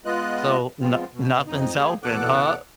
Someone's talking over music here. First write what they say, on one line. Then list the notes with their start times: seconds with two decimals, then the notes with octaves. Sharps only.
So, no nothing's helping, huh?
0.05 G#3 B3 F4 D#5 F#6
0.82 F3 G#3 B3 C4 F4
1.13 B2
1.47 F2 D#4
1.77 G#3 A#3 G4 G#4
2.03 E2 B2 A4 F#5 D6 F#6